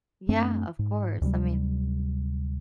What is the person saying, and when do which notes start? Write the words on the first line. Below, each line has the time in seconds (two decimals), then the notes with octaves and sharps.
Yeah, of course. I mean,
0.29 F#2 A3 C4 D4
0.79 G#2
1.21 D2 C3 F#3 G3